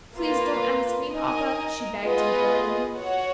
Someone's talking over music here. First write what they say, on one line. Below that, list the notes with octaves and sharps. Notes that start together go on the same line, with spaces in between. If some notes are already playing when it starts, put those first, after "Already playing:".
"Please don't ask me, papa," she begged imploringly.
A#3 F4 B4
D#4 A#4 D#5 G#5
B3 F4 G#4 B4 D#5
F#4 C#5 F#5